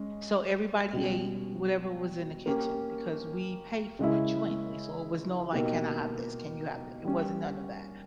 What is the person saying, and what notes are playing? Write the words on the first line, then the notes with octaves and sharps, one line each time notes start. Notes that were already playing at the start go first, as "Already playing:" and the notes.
So, everybody ate whatever was in the kitchen because we pay for it jointly, so it was no, like, "Can I have this? Can you have it?" It wasn't none of that.
Already playing: G#3 C#4
B2 G3 C#4
A#3 C#4 G4
C#3 G#3 C#4 E4
B2 A#3 D#4 G4
G3 C#4 G4